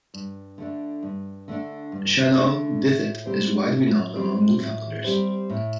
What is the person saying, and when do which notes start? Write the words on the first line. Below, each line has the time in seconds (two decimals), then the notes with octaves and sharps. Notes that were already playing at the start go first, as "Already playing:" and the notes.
Shanawdithit is widely known among Newfoundlanders.
0.14 G2
0.58 D3 A3 D4
1.03 G2
1.48 D3 A3 D4
1.92 G2
2.37 D3 A3 D4
2.81 A2
3.26 G3 C4 G4 C5
3.71 A2
4.15 G3 C4 G4 C5
4.60 A2
5.04 G3 C4 G4 C5
5.50 A2